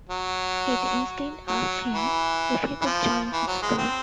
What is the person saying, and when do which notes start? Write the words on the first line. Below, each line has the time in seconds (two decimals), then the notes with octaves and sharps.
Peter instead asked him if he could join his crew.
0.09 F#3
1.48 F#3
1.94 E3
2.81 E3
2.86 F3
3.33 E3
3.48 F#3
3.62 G#3
3.78 C4